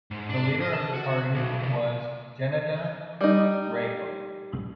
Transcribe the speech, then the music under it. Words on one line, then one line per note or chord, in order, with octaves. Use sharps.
The leader of the party was Gennady Raikov.
G#2
D4
D#5
A5
F#4
B1
C3
G3 D#4